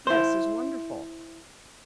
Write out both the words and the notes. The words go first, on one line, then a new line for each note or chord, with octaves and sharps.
This is wonderful!
E4 C5